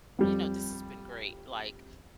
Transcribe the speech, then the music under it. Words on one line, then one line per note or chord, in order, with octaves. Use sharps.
you know, this has been great, like,
F2 G3